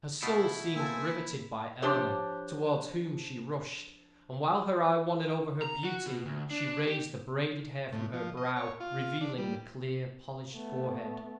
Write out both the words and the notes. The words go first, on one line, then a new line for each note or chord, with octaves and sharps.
Her soul seemed riveted by Eleanor, towards whom she rushed; and while her eye wandered over her beauty, she raised the braided hair from her brow, revealing the clear, polished forehead.
B2 A3 E4 F4
A#3 A4 C5 G#5 E6
F3 D4 G4 C5 C#5
A#5
F#4
B2
D2
D4
G4
A2
F3
D#5
C#5
F4
D4
G3
A3 B3